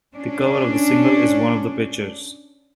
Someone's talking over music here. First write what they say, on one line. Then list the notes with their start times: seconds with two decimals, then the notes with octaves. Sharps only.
The cover of the single is one of the pictures.
0.14 C#4 D4